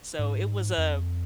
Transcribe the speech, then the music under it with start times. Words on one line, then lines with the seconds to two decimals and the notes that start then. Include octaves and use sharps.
So it was a
0.19 G#2
0.78 F2